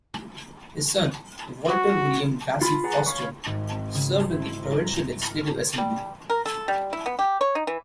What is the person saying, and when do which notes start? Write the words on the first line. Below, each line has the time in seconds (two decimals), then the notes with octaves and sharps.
His son, Walter William Vassie Foster, served in the provincial Legislative Assembly.
1.68 F#4
2.62 F4 B5
2.84 G#4 B4 D5 F#5 A#5
3.06 C#5 F5 B5 C#6
3.46 G#1
3.70 C4
3.95 C#3
4.14 C5
4.31 E4
4.63 A#5
4.84 A#5
5.28 F6
5.41 F6
5.78 G3
6.30 A#4
6.46 A4
6.68 G3
6.93 E4
7.06 B3
7.19 G4
7.41 C#5
7.55 D#4
7.67 E3